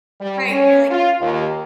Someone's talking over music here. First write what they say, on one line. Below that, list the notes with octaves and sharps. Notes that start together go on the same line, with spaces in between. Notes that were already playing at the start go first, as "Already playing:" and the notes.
Right, you're like,
G3
C#4
F4
D#2